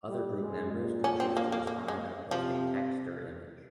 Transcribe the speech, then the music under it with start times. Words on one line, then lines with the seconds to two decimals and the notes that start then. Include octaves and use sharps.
Other group members could choose to respond by posting text or image.
0.08 G3
0.41 G#3
0.72 A#2
1.04 C#4
1.20 C4
1.37 A#3
1.52 A#3
1.67 A#3
1.88 G#3
2.31 C3 F3